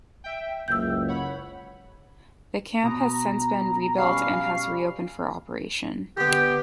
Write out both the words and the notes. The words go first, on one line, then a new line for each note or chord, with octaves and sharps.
The camp has since been rebuilt and has re-opened for operation.
E5 G5
F#1 C#2 E6 G6
C#5 F#5 B5
B2 A#5
G3 C#4 F5 C7
D3 B3 G4